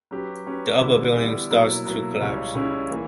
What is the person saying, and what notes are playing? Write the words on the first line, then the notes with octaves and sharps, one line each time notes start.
The upper building starts to collapse.
F#3 C#4 G4 B4
F#3 C#4 G4 B4
D3 G3 B3 E4
D3 G3 B3 E4
B2 F#3 A#3 E4
B2 F#3 A#3 E4
C#2 C#3 G3 C#4 E4
C#2 C#3 G3 C#4 E4
E3 A#3 E4